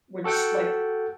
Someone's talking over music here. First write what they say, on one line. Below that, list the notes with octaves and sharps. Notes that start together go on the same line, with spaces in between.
which like
F#4 A4 F#5 G5